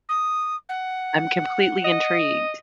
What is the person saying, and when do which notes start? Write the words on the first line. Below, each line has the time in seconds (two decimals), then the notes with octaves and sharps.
I'm completely intrigued.
0.08 D#6
0.69 F#5
1.84 D#5